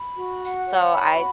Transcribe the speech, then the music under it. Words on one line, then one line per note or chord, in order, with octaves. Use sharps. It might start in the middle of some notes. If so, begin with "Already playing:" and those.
so I
Already playing: B5
F#4
F#5
C#5
B5
F#4